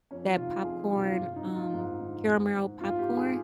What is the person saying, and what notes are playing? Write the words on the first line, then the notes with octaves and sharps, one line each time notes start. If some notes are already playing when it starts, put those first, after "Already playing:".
that popcorn, um, caramel popcorn.
F2 C#4
C3 D#3 F4
F2 G#4
G4
C3 D#3
F4
G#2 F4
D#4
D#3
F4
G#2
D#3
G#2
D#3
G#2 F4
G4
D#3
G#4